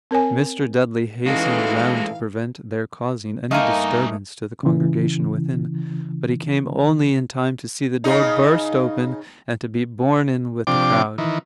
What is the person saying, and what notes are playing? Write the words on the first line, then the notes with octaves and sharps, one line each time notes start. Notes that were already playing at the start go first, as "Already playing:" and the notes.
Mr. Dudley hastened round to prevent their causing any disturbance to the congregation within; but he came only in time to see the door burst open, and to be borne in with the crowd.
C4 A#4 C#5 G#5
E3 G#3 A3 C#4 D#4 F#4 A4 F5
G2 A3 A#3 D#4 D#5 F5 G#5 D#6
C#3 E3
C#3 D#4
C3 F3 D4 G5 D6
D#3 E3